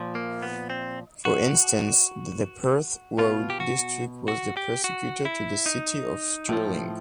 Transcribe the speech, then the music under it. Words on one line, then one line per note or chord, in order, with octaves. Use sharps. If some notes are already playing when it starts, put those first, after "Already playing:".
For instance, the Perth Road District was the precursor to the City of Stirling.
Already playing: A#2 F3
A#3
B3
C4
F#4
B2 F4
G4
F#4
F#4
G4
F#4
E4
D#4
A2 F3